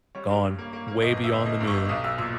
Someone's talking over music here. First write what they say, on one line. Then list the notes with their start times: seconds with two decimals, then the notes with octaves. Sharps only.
gone way beyond the moon
0.15 G3 C#5
0.29 G2
0.44 G2
0.59 A#3
0.73 A#3
0.88 A#3
1.02 G1 D#5
1.16 G1
1.24 E5
1.32 G1
1.45 G1 D#5
1.60 G2
1.67 C#6
1.75 G1
1.89 B1 D#6
2.04 B1 E6
2.18 A#2 E6